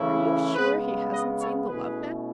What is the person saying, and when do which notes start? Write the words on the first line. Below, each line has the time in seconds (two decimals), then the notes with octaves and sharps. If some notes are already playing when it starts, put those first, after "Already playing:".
"Are you sure he hasn't seen the Love Magnet?"
Already playing: C#3 E3 A3 C#4 E4
0.54 C#3 G#3 B3 G#4 B4
1.12 B4 D#5
1.39 A4 C#5
1.68 B2 A3 C#4 E4 G#4 B4